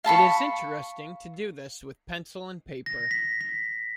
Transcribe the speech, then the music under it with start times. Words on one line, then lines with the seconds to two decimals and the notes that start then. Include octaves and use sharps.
It is interesting to do this with pencil and paper.
0.04 F5 A5 B5 C#6
2.86 A#6
3.11 B6
3.41 B6